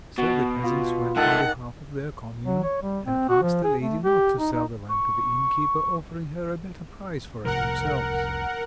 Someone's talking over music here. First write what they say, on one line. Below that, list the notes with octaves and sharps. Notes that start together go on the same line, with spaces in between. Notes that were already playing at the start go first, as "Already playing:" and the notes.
So the peasants went on behalf of their Commune, and asked the lady not to sell the land to the innkeeper; offering her a better price for it themselves.
B2 F#4
F4
G#2 D#3 A3 A4 F#5 A5
F#3
C#5
G3
C4
F#4
F3
G#4
A3
G4
D#4
D#4
C#6
F1 C2 F3 A#4 F#5